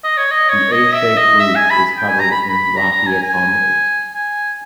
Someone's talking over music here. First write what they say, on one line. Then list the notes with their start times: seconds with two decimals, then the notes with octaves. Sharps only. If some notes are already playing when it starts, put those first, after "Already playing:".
The A-shaped roof is covered in raffia palm leaves.
0.04 D#5
0.17 C#5
0.31 D#5
0.49 C#5
0.72 D#5
0.94 E5
1.17 D#5
1.40 E5
1.55 G#5
1.70 B5
1.97 G5
2.08 G#5
2.20 A#5
2.31 B5
2.49 B5
2.77 A#5
2.92 A#5
3.07 G#5
3.22 G#5
4.13 G#5